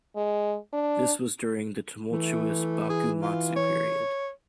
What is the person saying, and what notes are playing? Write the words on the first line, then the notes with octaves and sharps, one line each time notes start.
This was during the tumultuous Bakumatsu period.
G#3
D4
E3 A3
G#4
F4
C#5